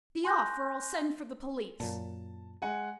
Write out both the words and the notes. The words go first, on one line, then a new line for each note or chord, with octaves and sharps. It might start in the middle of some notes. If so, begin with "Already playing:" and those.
Be off, or I'll send for the police.'
G#5 C6 C#6 F#6 G6 A#6
F#2 A#2 A5
G#3 F#5 G#5